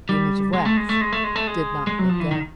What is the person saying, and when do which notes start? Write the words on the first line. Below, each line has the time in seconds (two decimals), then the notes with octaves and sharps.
The image of wax did not let go.
0.09 G3
0.53 G#3
0.65 A3
0.77 G#3
0.89 A3
1.01 G#3
1.13 A3
1.24 G#3
1.36 A3
1.47 G#3
1.87 G#3
1.99 F#3
2.09 F3
2.20 E3
2.31 D#3